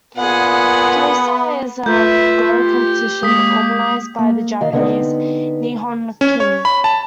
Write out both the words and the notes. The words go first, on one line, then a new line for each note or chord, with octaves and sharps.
Kisei is a Go competition organised by the Japanese Nihon Ki-in.
A#2 B3 G#4 F#5
A3 F4 B4 E5 G6
G4
G#3 A#3 D#6 B6
A#3
D#3 D#5 F5
D3 B3 C4 D#4
C#4
C#5
B5
A5